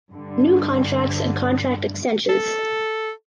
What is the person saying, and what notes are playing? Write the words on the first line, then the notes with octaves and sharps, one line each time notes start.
New contracts and contract extensions.
G2 D3
A4